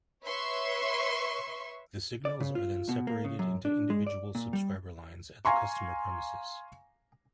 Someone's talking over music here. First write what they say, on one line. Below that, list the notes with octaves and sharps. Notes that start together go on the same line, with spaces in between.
The signals are then separated into individual subscriber lines at the customer premises.
B4 C#5 E5 C6 C#6
D5
C#3
F4
B2
A#3
C#3
F#2
D4
G#3
D5
A#2
G3
F5 G#5 A#5 C6 C#6